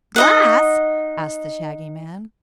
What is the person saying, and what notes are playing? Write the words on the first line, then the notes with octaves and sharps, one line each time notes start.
"Glass?" asked the Shaggy Man.
D#4 D#5 F#5